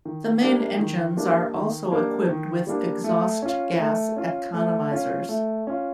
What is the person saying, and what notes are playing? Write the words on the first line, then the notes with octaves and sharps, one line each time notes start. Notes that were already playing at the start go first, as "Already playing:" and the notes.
The main engines are also equipped with exhaust gas economizers.
D#3
G3 A#3 D4
D#3
G3 A#3 D4
D#3
G3 A#3 D4
D#3
G3 A#3 D4
A3
C#4 F4
A3
C#4 F4
A3
C#4 F4
A3
C#4 F4